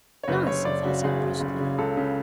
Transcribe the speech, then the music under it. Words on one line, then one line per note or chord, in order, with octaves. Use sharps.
"Nonsense!" I said bruskly.
C#5
F#1 B4
F#1 C#5
F#1 D5
C#3 F#4
F#1 G#4
F#1
F#1
C#3
C#2 A4
C#3